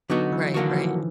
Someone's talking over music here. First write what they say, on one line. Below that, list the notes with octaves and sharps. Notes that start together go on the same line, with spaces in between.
Right, right.
D3 F#3 B3 D#4 F#4
E3
D3 D#3 F#3 A#3 D4 F#4
F3
E3